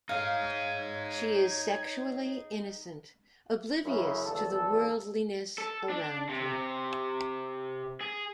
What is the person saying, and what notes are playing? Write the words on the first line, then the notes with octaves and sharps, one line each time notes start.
She is sexually innocent, oblivious to the worldliness around her.
D#4 G#4 C#5 F5 G#6
F#2 C#3 E4
G#1 E2 A4
A4
D4
C3
G#4